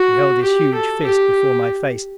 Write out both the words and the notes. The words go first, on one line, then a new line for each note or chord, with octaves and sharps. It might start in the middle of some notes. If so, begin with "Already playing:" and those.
He held his huge fist before my face.
Already playing: F#4
G4
A4
G4